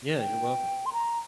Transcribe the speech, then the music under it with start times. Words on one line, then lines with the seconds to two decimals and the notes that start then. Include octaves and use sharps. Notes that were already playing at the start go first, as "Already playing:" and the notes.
Yeah, you're welcome.
0.19 G5
0.86 C6
0.93 A#5